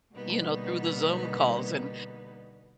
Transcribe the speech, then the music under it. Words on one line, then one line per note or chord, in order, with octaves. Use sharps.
you know, through the Zoom calls and
B2 D3 G3 A#3 B3 D#4